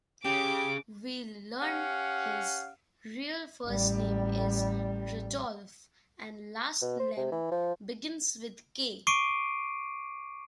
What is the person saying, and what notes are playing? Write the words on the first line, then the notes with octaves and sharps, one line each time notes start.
We learn his real first name is "Rudolph", and last name begins with "K".
C#3 G4 D6 D7
C#4 G4 F5 F#5
A1 G3
B2
C5
C3
E3
F3
C#6 D6 C7 D7 D#7